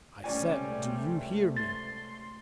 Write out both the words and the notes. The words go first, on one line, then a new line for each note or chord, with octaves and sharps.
"I said, do you hear me?"
C#2 C3 G3 A3 C#4 D5 G#5
C6 A6